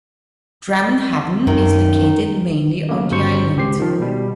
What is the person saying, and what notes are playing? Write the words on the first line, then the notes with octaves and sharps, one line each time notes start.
Drammen havn is located mainly on the island.
F#2 D#3
C#3 A3 A#3
G1 C#3 F#3 C5 C#6
C#2 G4 C5 C7
D#3 F3
B2 G3